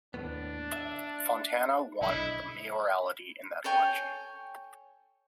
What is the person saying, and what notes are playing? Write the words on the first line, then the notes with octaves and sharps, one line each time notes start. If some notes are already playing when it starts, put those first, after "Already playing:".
Fontana won the mayoralty in that election.
D#2 A2 B3 D4
E5
B1 D3 E4 D#5
A4 C#5 G5 G#5